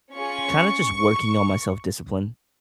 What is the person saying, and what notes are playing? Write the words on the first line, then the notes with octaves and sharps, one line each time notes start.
kinda just working on my self-discipline.
C#4 F4 G#4 C#6